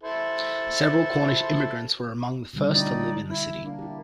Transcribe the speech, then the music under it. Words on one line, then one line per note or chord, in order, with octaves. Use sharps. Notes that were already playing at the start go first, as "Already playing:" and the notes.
Several Cornish immigrants were among the first to live in the city.
E4 A4 C5
B2 D3 G3
A2 D4 D#4 D5
E4
A#3 D4
E4 G4